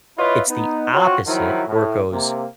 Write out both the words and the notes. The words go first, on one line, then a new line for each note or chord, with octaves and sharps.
it's the opposite where it goes,
E4 F4 B4 C#5 D#5 E5
B3 D#4
C4 F4 F#4 C#5
D#3 F3 F#3 E4
A2
C3 A#3